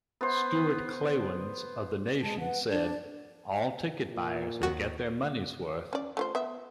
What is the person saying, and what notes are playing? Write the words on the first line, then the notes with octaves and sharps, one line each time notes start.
Stuart Klawans of The Nation said, All ticket buyers will get their money's worth.
B3 C5
G#3 A5
B4 F#5
D4 D5
A#2
D#2 F#4
C#4 D5
A3 F4 C5
B3 E5